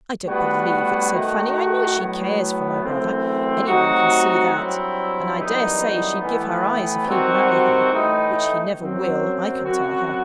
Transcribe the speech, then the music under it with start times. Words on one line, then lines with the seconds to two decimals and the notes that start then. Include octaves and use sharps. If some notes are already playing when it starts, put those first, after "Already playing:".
'I don't believe it,' said Fanny. 'I know she cares for my brother; any one can see that; and I dare say, she'd give her eyes if he'd marry her,--which he never will, I can tell her.
0.24 A2 G3 B3 F#4
1.10 D#3 A3 D#4 F#4
1.95 A2 F#3 B3
2.81 F#2 E3 A3 C4
3.66 C3 F#3 A3 D#4 F#4
4.51 G2 F#3 C4 E4
5.36 F#2 E3 G3 B3 D#4
6.21 A2 E3 B3
7.06 C3 D#3 G3 C4 F#4
7.91 A2 E3 A3 D#4
8.77 F#2 F#3 C4
9.62 F#2 F#3 C4 F#4